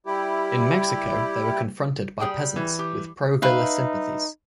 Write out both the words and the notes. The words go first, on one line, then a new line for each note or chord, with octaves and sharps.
In Mexico they were confronted by peasants with pro Villa sympathies.
G3 E4 G4
G3 G#4 G5
E3
G4
D#4 B4 E5 F5